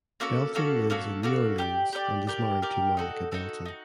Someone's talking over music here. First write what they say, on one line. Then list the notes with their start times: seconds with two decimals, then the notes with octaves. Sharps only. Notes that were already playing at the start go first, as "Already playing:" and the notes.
Belton lives in New Orleans and is married to Monica Belton.
0.20 A#3 C#4 F#4 A4
0.55 A#3 C#4 F#4 A4
0.90 A#3 C#4 F#4 A4
1.23 A#3 C#4 F#4 A4
1.58 G4 A#4 D5
1.92 G4 A#4 D5
2.27 G4 A#4 D5
2.62 G4 A#4 D5
2.97 D#4 F#4 A4
3.32 D#4 F#4 A4
3.65 D#4 F#4